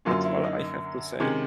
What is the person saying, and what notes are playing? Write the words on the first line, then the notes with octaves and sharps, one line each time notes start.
That's all I have to say.
F#2 D3 F#3 A#3 C#4 F4
E4
D#4
C3 D#3 G#3 C#4